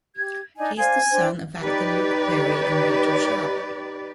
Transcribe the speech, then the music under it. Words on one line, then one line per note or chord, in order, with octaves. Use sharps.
He is the son of actor Luke Perry and Rachel Sharp.
G4 G#6
D4 D#4 G#5
D4 C5 F5 G#5
D4 C5 G5
D#4 G4 B4 D5